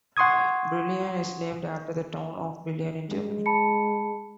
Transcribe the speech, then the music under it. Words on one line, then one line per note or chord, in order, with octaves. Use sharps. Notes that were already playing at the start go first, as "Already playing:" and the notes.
Brillion is named after the town of Brilon, in Germany.
F#5 C6 C#6 D#6 G#6
G#3
A5 B5 C#7